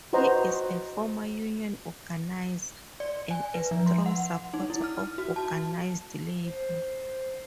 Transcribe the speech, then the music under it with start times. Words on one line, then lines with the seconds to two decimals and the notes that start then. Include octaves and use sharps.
He is a former union organizer, and a strong supporter of organized labor.
0.13 F#4 B4 C5 D#5 A#5
3.00 D5
3.31 G#5
3.54 B4
3.71 F3
3.86 C6
4.06 F#5
4.54 D#4
4.70 E4
4.84 F6
5.18 F#4
5.36 A5
6.42 C5